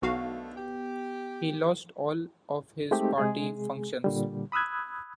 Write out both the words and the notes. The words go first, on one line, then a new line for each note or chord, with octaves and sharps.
He lost all of his party functions.
B1 D3 D#3 A3 B3 F#4 F5
G4
G#3 A3 C4 D#4 G4 G5
C3 G#3 G#4
A#2 D3 G3
B5 D#6 E6 F#6 G#6